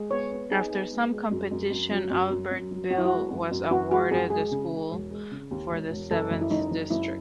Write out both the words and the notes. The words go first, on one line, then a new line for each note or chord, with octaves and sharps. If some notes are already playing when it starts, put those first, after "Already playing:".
After some competition, Albertville was awarded the school for the Seventh District.
Already playing: G#3
B3 C#5
B3
D#4 G#4
B3
G#3
G#3
F#2
F#2
F#2
F#3
F#2
F#3
F#2
F#3
F#2 F#4
E4
F#4
G#3
F#2
F#2
F#2 F#4
G#3 F#4
F#2 G#4
G#3 G#4
C#3
G#3
E1
G#3
C#3
D#2
E1
E1
F#1 A4
F#1
E4
F#1 D#4
F#1
F#1 E4